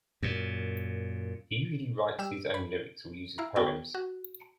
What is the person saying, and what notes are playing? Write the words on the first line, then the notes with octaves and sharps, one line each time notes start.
He usually writes his own lyrics or uses poems.
F#2 A#2
G3 G4 E6 E7
B5
E4 F5 A#5
B3 F4 F#4 G#4 G5
F#4